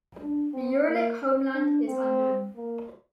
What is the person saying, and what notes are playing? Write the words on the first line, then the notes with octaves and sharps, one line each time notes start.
The Uralic homeland is unknown.
D4
C4
A#3
D4
C4
A#3